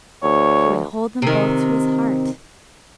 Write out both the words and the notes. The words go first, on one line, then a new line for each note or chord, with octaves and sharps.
He would hold them both to his heart.
D2 C#5
C3 D#3